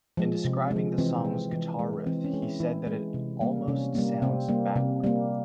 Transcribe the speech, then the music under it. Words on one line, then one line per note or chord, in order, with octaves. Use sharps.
In describing the song's guitar riff he said that it "almost sounds backward".
F3 G#3
C3
G#3
F3
E3 C4
G#3
E3
G#3
E3 C4
C#4
G#3
E4
E3 E4
G#3
C3
G3 A#3
C3 C#4
G3 A#3
C3 C4
G3 A#3
C3
G3 A#3